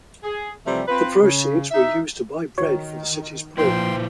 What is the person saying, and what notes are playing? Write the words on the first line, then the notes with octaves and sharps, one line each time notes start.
The proceeds were used to buy bread for the city's poor.
G#4
C3 E3 F3 G3 A3
C4 F4 B4
C#3
D#4 E4 E5
D#3 F#4 C#5 C#6
A#2 F3 E4 B4 C5 G5 C6